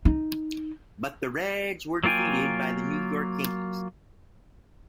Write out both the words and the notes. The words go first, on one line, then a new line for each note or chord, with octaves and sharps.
But the Reds were defeated by the New York Yankees.
D#4
F#3 A#3 F4 G5 G#5